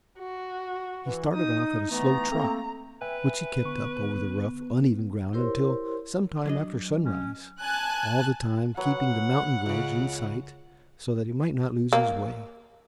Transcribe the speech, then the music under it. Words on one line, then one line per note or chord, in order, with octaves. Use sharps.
He started off at a slow trot which he kept up over the rough, uneven ground until some time after sunrise, all the time keeping the mountain gorge in sight so that he might not lose his way.
F#4
E3
D#4 D#6
E3 A3 B3 A#5
A3 A#3 C4
B4 E5 G5 G#5
D3 B3 C#6
E4 G4 A#4 C5 C#5 C6
F#3 D4 D#5
C#4
G#5 A5 F#6
F#3 B4 F#5
C#2 C#3
A#3